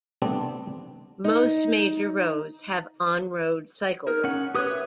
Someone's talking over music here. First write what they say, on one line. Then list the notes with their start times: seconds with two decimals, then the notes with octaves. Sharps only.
Most major roads have on-road cycleways.
0.22 C3 G3 A3 B3 C4 D4
1.24 D#4
4.06 D#4 G#4 A#4
4.24 C#4 F#5
4.55 G4 B4 C#5 D#6 F#6
4.71 E5